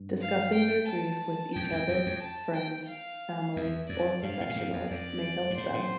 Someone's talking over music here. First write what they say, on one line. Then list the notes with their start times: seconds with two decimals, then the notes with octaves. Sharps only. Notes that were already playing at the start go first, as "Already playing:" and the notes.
Discussing their grief with each other, friends, families, or professionals may help them.
Already playing: G2
0.21 F5
0.55 G5
0.89 A5
1.55 F2 G5
1.72 F2
1.88 E2
2.06 F2
2.23 A5
2.56 G5
2.89 F5
3.56 E2 E5
3.89 F2 D5
4.23 G2 F5
4.40 G2
4.49 A2
4.56 G2
4.73 F2
4.91 F2 D5
5.50 G2
5.57 A2 C5
5.73 A2